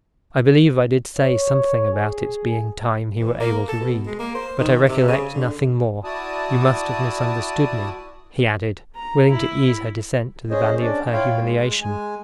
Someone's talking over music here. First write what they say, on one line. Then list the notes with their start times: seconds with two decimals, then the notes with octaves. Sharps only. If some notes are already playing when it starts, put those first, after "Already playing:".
"I believe I did say something about its being time he were able to read, but I recollect nothing more.--You must have misunderstood me," he added, willing to ease her descent to the valley of her humiliation.
1.17 C#5
1.92 G#4
3.19 E3
3.40 A#3
3.68 A4
3.81 B2
4.06 G#3
4.19 A#3
4.35 C5
4.59 D#3
4.88 C3
5.08 C#3
5.34 D3
6.04 E4 F#4 D5 A5 D#6
8.96 A#5
9.30 E4
10.51 C#4 G#4 C5 C#5 D#5
10.80 C#4 D4 D5
11.12 E4 F4 C#5 F5 G5
11.40 G#3
11.82 G#3 G#5